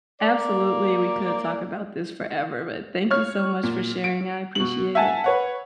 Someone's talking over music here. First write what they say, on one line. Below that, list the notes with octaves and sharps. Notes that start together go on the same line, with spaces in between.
Absolutely, we could talk about this forever. But, thank you so much for sharing. I appreciate it.
A#3 D5
C#5 F6
A#2
D7
B2 F#7
E5 F#5 G#5 A5
B4 C#5 F#5